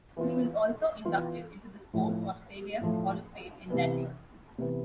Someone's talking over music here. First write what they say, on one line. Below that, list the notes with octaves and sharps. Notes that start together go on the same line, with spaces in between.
He was also inducted into the Sport Australia Hall of Fame in that year.
E3 B3 F4
E3 B3 F4
A2 F3 A3
A2 F3 A3
C3 E3 B3
C3 E3 B3